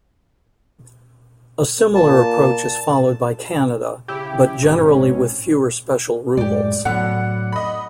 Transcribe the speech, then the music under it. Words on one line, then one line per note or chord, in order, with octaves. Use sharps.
A similar approach is followed by Canada, but generally with fewer special rules.
A#2 A5
C#3 E4 G4
A1 G#2 C3 C#4
F#2 A2 G#3 G4 D5
A2 D3 F#3 B3 F#5
D#5 B5